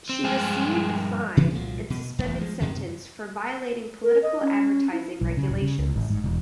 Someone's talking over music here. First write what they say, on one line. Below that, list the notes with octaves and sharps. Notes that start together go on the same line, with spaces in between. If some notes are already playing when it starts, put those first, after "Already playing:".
She received a fine and suspended sentence for violating political advertising regulations.
C4
G2 F3 G#3 G5
C3 E3 F#3 B3
C2 A#2 F3 F#3
B2
D#1 A1 E2
F3 G#3
F#2 C3 D#3
A#4
D#5
C#4
E4
B1
C#3
D1
C#3
C#2
G#1
G#2
E1